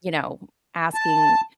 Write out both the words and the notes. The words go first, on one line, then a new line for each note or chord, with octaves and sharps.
"you know, asking
A5